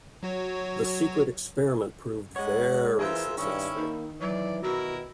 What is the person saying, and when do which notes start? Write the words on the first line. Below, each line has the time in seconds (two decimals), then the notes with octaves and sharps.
The secret experiment proved very successful.
0.23 F#3 F#4 C#5
2.36 G#3 C#5 F#5
2.99 E3 F4 G#4 A#4 C5 E5
3.38 G2 D#3 C#4 E4
3.77 A#3 D#4
4.21 E3 F#3 D5
4.63 B2 E4 F#4 A#4